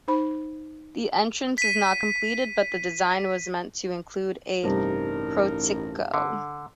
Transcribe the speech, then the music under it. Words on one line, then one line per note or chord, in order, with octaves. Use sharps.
The entrance is not completed, but the design was meant to include a portico.
D#4 C5 B5
B6 D#7
A1 G2 C3 D#4 A#4
D3